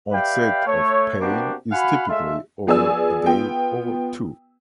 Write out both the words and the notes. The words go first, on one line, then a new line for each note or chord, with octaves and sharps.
Onset of pain is typically over a day or two.
G4 B4 D5 E5 F5 G5
A3 C#5
C3 A#3 B3 D4 F#4 G4
F#4 F5 F#5 G#5 B5
G#3 A3 F4 E5
F3 B3 G#4 D5 G#5 E6
B3 F4 G5